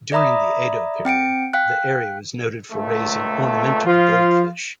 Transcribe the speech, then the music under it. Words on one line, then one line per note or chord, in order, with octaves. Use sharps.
During the Edo period, the area was noted for raising ornamental goldfish.
D5 E5 A#5 B5 D#6
C4 G5 C#7 D7
F5 G5 F#6
C#2 A#2 A3
F3 F4